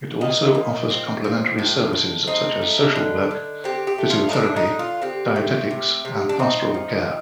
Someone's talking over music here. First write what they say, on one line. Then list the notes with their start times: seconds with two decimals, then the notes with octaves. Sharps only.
It also offers complementary services such as social work, physiotherapy, dietetics and pastoral care.
0.21 A#2 D#4
0.55 A#2
0.90 C4
1.24 F3
1.58 A2
1.93 A2
2.27 C4 D#4
2.61 A3
2.96 D3
3.31 D3
3.64 C4 G4
3.87 G4
3.98 A3
4.10 F4
4.29 D#4
4.33 D3 D4
4.56 D#4
4.67 D3
4.79 F4
5.02 C4 G4
5.36 A3
5.71 C3
6.05 C3
6.29 D4
6.39 C4 D#4
6.74 F3